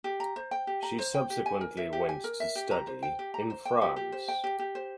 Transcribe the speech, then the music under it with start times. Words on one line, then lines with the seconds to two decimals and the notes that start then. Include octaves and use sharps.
She subsequently went to study in France.
0.04 G4
0.20 A#5
0.36 C5
0.51 G5
0.67 G4
0.83 A#5
0.99 C5
1.14 G5
1.30 G4
1.46 G#5
1.61 A#4
1.77 E5
1.93 G4
2.09 G#5
2.24 A#4
2.40 E5
2.55 G4
2.71 A#5
2.87 C5
3.03 G5
3.19 G4
3.34 A#5
3.50 C5
3.65 G5
3.81 G4
3.96 G4
4.12 C5
4.28 G5
4.44 G4
4.59 G4
4.75 C5